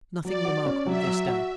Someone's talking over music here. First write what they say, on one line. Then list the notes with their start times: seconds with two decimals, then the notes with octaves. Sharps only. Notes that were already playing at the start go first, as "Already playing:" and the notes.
Nothing remarkable this day.
0.25 F#3 D5
0.45 F#4
0.66 C#4
0.86 F#3 E5
1.07 F#3
1.28 F#4